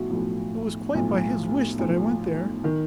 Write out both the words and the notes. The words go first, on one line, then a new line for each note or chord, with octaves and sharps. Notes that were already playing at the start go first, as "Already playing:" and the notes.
It was quite by his wish that I went there.
Already playing: B1 A2 F3 E4 F#4
B1 A2 F3
B1 A2 F3
B1 A2 F3
D#3